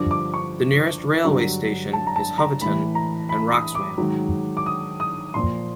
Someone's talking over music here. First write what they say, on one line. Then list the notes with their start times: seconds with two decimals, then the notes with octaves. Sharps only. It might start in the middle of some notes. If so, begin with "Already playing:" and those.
The nearest railway station is 'Hoveton and Wroxham'.
Already playing: G2 D3 F3 D6
0.11 D6
0.34 C#6
1.24 G2 D3 F#3
1.93 A5
2.07 A#5
2.16 A5
2.38 A#5
2.61 A2 E3 B5
2.95 A#5
3.29 B5
3.52 D#6
3.75 D6
3.98 G#2 D#3 F#3
4.57 D6
4.66 D#6
5.00 D#6
5.34 A#2 F3 C6